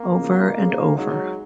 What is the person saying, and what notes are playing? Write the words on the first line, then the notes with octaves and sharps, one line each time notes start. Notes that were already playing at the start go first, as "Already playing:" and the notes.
Over and over.
Already playing: A#3
C#3 F3 G#3 B3
G#3 C#4 G#4 C#5
F#3 G#3 D#4 G#4 C#5